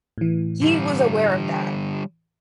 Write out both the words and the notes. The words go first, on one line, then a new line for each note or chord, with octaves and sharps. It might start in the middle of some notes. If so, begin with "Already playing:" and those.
he was aware of that.
A2 E3
D3 G3